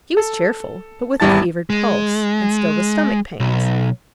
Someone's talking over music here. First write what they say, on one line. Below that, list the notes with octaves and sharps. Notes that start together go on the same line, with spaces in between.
He was cheerful, but with a fevered pulse, and still the stomach-pains.
A4
G#1 E2 G3 E4 A5 A6
G#3
B1